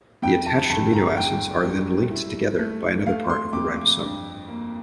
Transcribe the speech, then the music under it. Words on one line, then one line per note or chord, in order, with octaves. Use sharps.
The attached amino acids are then linked together by another part of the ribosome.
F2 G5
A5
G1 A5
A#5
E2 G5
G3
E4
A3
A3 F5
C6
F2 D6
D6
G2
A#3